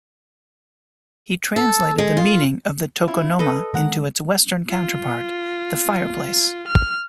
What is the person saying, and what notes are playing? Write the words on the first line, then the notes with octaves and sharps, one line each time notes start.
He translated the meaning of the tokonoma into its western counterpart: the fireplace.
A4
G#3
F4
C#4 E4 F4
A4 B4 D#5
D#3 G#3 A#4 F#5
F4
F6